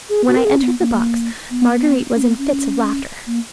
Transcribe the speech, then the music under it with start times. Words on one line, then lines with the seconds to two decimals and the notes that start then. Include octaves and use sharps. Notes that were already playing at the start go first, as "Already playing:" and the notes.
When I entered the box Marguerite was in fits of laughter.
0.09 G#4
0.27 F#4
0.37 A#4
0.45 G#4
0.57 C#4
0.63 B3
0.80 A#3
1.50 B3
2.16 C#4
2.22 B3
2.38 C#4
3.27 A#3